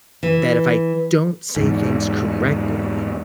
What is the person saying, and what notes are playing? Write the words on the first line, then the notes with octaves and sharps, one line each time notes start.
that if I don't say things correctly,
E3
E2 G#2